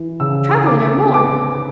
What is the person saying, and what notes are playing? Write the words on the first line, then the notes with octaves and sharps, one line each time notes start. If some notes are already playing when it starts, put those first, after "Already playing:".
Trebling, or more.
Already playing: E3
C#3 E6
D3 D6
B3 D6